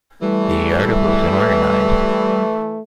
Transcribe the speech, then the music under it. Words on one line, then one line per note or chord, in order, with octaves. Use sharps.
The articles in Organise!
E3 G3 A3